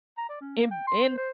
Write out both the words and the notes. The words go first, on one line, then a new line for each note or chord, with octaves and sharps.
In in
A#5
D5
C#4
A#3
G5
C6
C5
C5